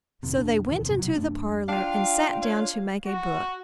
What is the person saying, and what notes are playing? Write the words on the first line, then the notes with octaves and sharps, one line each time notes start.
So they went into the parlor, and sat down to make a book.
F1 A#1 D#2 C3
E1 F2 D4
D#2 A#2 D#3 E3
G#1 F#2 C3
B2 F#3
F#2 A3 D4
D4 F4 F5 G5
C#5 F5
F#4